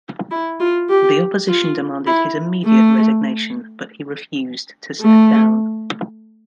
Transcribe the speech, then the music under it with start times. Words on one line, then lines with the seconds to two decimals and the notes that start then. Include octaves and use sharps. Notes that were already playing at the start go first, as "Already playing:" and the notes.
The opposition demanded his immediate resignation but he refused to step down.
0.31 E4
0.60 F4
0.89 G4
1.49 F4
2.07 E4
2.65 A3
5.01 A3